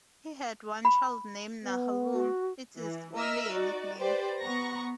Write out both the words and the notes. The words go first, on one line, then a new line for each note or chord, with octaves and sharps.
He had one child named "Nahalum", it is only a nickname.
B5
B3
F#4
E3
A#4 D#5 E5 A#5 E6 F6
D#4 F#4 D5
G4 B4 C5 D5 G5
B3 F#5 A#5 C#6 A#6